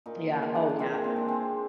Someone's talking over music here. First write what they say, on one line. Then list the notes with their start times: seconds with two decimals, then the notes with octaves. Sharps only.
Yeah oh, yeah.
0.06 A#2 D#4
0.43 G#3
0.55 D4
0.69 D4
0.79 A#2 C4
1.04 C4
1.16 G#3
1.28 C4